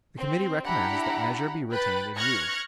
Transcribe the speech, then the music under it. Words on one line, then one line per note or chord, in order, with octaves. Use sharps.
The Committee recommends that Measure be retained and used.
C4
D4 E4 G4 F#5 A#5 B5
B4 G5 B5 F#6 A6
C#6 F6 F#6 G#6 A#6 C#7